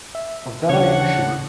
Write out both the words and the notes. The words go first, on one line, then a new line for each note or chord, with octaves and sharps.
Of that I am sure.
E5
D#2 C#3 D4 C#5 F#5